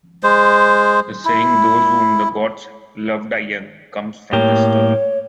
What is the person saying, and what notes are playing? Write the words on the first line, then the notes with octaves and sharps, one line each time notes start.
The saying "those whom the gods love die young" comes from this story.
G#3 C5
E4
A2 A#3 G4 C#5